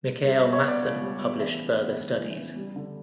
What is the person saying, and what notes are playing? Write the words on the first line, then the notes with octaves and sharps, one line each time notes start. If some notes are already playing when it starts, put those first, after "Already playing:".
Mikhail Masson published further studies.
G3
E5
B2
C#5
B3
D5
C#2
G3
B2
E3 E5
C#3
B3
D2
E3
C#3
G3
D3